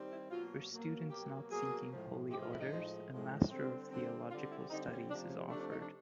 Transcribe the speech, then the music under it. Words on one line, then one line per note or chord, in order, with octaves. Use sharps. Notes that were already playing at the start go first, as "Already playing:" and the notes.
For students not seeking Holy Orders, a Master of Theological Studies is offered.
Already playing: D#3 G3 C4
E4
B2 F#3 A#3 F4
B2 F#3 A#3
B2 F#3 A#3 G4
B2 F#3 A#3 G#4
A2 F3 G#3
A2 F3 G#3 G4
F4
E4
D#4
A2 F3 G#3
A2 F3 G#3
D3 G3 C4
D3 G3 C4
D3 G3 C4 F4
E4
D3 G3 C4 D#4
C#4
C3 F3 A3 D4
C#4
C3 F3 A3 D4
D4
D#4
D4